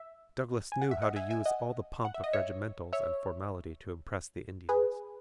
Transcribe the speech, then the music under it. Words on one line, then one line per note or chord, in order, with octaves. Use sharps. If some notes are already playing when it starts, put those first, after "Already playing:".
Douglas knew how to use all the pomp of regimentals and formality to impress the Indians.
Already playing: E5
G#5
F#5
E5
D#5 F#5
E5 G#5
E5 G#5
D#5 F#5
F#5
E5
D#5
C#5 E5
C#5 E5
G#4 B4